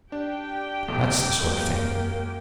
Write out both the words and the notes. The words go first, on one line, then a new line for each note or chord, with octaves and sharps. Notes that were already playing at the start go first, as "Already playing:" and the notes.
That's the sort of thing!'
D4 G4 G5
B1 E2 A3
F#2 F#3 G#3 A#3